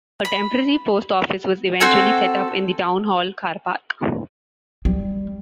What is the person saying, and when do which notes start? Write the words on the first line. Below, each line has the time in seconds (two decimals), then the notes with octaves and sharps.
A temporary Post Office was eventually set up in the town hall car park.
0.25 B5
1.80 C4 F#4 A4 G#5
4.85 G3